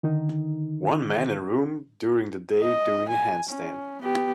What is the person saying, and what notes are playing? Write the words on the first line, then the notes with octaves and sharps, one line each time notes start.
One man in a room during the day doing a handstand.
D3 D#3 D#4
D#5
G#5
C#4
B3 G4